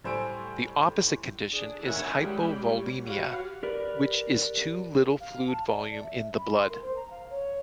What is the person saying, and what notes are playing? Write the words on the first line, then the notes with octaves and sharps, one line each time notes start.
The opposite condition is hypovolemia, which is too little fluid volume in the blood.
A2 G3 C5 G#5 E6 D7
D4 G#4
D#3 C#4 E4 E5 F#5 G#5
G3 G#3 C#4 G4 G5 B5
G3 C#5
F#4 G4 B4 C#5 F5 F#5
G4 A#4 B4 D5
F5
A5
D5
D5
E5
B5
C6
A#4
C5
A#5
F5
C#5